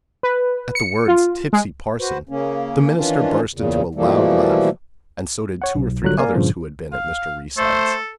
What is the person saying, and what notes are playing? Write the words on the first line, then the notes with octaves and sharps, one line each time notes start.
At the words "tipsy parson," the minister burst into a loud laugh, and so did two or three others who had been at Mr. Reeside's.
B4
C#7
F4
G#3
F#4 B4 C5
C#3 A#3 C#4
D#3 E3 C#4 D4 F4
E2 A#2 C#3
B2 E3 F3 G3 A3 A#3
C#5 F#5
B1
G#1 D3 F#3 G3 F4 F#6
A#3 A#4 D5 F5 G#5
G2 A#2 C#3 F3
F5
A3 A4 C5